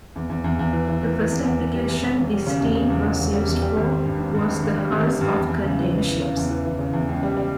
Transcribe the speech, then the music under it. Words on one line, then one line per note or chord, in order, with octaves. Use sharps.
The first application this steel was used for was the hulls of container ships.
E2
E2
E2
E2
E3
E3
E3
E3
E2
E2
E3
G3
E2
E1
E1
G3
C#3
E2
C#3
E2
E1
E1
G3
E2
G3
G#1
C4
G2
G#1
G2
G#1
G2
G3
G#1
G#1
G2
E2
E2
C#3
E3
E3
E3
C#3
E2
E3
E3
C#3
E2
C#2
G3
G3